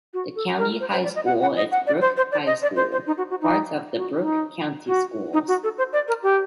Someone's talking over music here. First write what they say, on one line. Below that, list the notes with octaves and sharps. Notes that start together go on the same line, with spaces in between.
The county high school is Brooke High School, part of Brooke County Schools.
F#4
A4
A#4
C5
C5
D5
D#5
F#5
F#5
D#5
F#5
D5
C5
C5
D5
D#5
D5
C5
C5
D#4
F#4
F#4
D#4
F#4
D#4
F#4
D#4
F#4
A4
C5
D5
A#4
G4